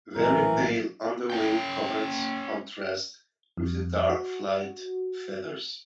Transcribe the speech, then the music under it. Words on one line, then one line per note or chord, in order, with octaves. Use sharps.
Very pale underwing coverts contrast with the dark flight feathers.
A#1 A2 E3 F#3 C#4 A#4
C#4 G5
F2
F#4